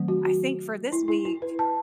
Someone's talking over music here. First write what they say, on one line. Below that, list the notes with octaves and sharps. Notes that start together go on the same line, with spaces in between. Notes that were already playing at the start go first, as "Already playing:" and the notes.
I think for this week
Already playing: D#3 F#3 A3 C4
F#4
F#4
E4
E4
E4
B4
A5